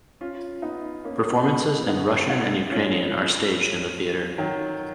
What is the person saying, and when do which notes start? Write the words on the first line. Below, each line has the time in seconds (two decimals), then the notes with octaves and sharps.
Performances in Russian and Ukrainian are staged in the theater.
0.21 C#4 F4
0.62 B3 D#4
1.05 A#3 C#4
1.45 G#3 B3
1.88 B3 D#4
2.30 D#4 F#4
2.71 C#4 F4
4.38 D#3 F#3